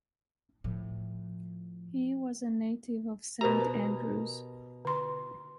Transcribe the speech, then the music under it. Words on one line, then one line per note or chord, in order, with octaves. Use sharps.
He was a native of Saint Andrews.
A2 F3
B2 G4 A#4 C5 A#5
C5
D3 C6